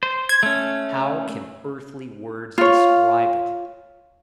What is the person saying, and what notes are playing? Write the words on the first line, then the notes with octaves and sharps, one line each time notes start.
How can earthly words describe it!
C5
G#6
A3 C#4
F4 C#5